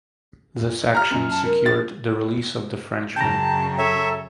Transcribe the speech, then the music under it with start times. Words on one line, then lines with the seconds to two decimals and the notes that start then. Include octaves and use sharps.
This action secured the release of the Frenchmen.
0.95 A#5 F6
1.11 F#2
1.30 A5
1.44 A#4
1.66 A6
3.16 F#2 C#3 G5 A5 A#5
3.78 A4 C#5 E5